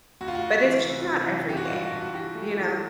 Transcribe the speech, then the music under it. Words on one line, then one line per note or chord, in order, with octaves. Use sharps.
But it's just not every day, you know?
D2 F#4
F4
F#4
D2
E3
C3
C3
E3
E3 G4
F#4
F4
G2 F#4
G2
F#4
E3 G4
A3
E3